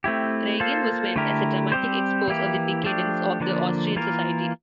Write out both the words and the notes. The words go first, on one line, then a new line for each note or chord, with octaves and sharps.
"Reigen" was meant as a dramatic expose of the decadence of the Austrian society.
A3 C4 E4 G4
A#3 F4 A4 C5
D3 A3 E4 G4 A#4
G3 C4 G4 C5
E3 A#3 E4 G4
F3 A3 D4 G4
D3 F3 A#3 D4
E3 A#3 F4 A#4